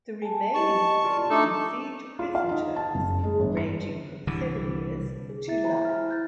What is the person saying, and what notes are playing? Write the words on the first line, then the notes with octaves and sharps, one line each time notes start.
The remaining three received prison terms ranging from seven years to life.
G#5 A5
G4 D#5 A5 C#6
F4 D5 C6
A3 D4 D#4 A4 D#5 D6
F4
F5
D#4
A5
F#1
G#3
G1
C#7
C2 D3 E3 G3
G#4
E4 E5 A6
C5 E5 G#5 A#5 B5
F6
E4
F#6 G6 A6